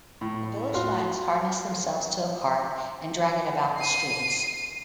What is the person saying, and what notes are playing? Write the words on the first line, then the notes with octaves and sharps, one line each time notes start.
The village lads harness themselves to a cart and drag it about the streets.
A2
F4 F#4 F5 C6
C7 D#7